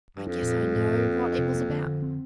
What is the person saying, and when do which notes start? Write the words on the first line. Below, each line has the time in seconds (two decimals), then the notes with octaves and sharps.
'I guess I know what it was about.'
0.17 G2
0.27 F2 D4
0.43 A#2
0.59 A3
0.75 A2
0.90 A2
1.06 A#3
1.22 D4
1.39 C3
1.55 A#3
1.70 D3
1.86 D3
2.02 C4